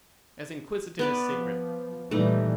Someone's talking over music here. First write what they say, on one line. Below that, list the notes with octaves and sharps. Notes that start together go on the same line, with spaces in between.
As inquisitive as secret.'
B3 B4 D5
F3
A#2 E3 G3 A3 D#4